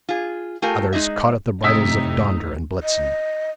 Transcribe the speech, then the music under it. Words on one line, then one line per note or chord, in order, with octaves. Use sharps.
Others caught at the bridles of Donder and Blitzen.
F4 G#4
A3 F4 G4 A4 A#4 G#5
G#3 D#4 G#4 D#5 E5
F2 A2 C3 D#4 D#6 E6 B6
D#5